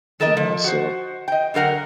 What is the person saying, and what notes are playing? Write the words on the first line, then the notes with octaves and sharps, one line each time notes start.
you know, so
D#3 A4 A#4 D#5
F3
F#4 C5
D#5 G5
D3 F#3 A#4 F#5 G5